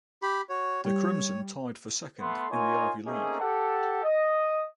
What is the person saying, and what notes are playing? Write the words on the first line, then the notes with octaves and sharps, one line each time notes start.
The Crimson tied for second in the Ivy League.
G4 B5
F#4 C#5
G3 C#5
A3 B3 A4 C6
D#4 F4 A#4 C#5 D#5 G#5
A3 A#3 C4 C#4 D#4 G#4
G4 A4 F#5
D#5